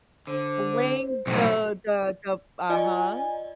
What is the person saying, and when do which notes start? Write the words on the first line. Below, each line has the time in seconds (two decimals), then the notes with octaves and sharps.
The wings, the the the Uh-huh.
0.27 D3 C5
1.27 B1 A2 C4 A#4
2.70 F4 D5 D#5 G#5